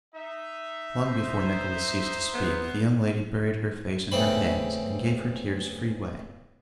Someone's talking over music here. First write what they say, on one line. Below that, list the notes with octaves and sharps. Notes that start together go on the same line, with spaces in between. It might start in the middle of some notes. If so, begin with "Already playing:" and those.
Long before Nicholas ceased to speak, the young lady buried her face in her hands, and gave her tears free way.
D#4 E5
C5
B3
E2 C#3 A3 C4 C5 B5